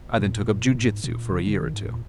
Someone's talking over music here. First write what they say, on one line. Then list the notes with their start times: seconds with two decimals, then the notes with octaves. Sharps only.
I then took up jiu-jitsu for a year or two.
0.19 A#2
0.75 G#2
1.04 A#2
1.32 C#3
1.47 C#3
1.60 D#3
1.74 G#2
1.89 A#2